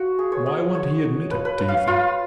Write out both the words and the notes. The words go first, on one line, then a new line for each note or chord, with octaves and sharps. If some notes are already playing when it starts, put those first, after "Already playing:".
Why won't he admit it, do you think?
Already playing: F#4
G#4
C#5
D#5
C#5
B4
B4
B4
F5
F4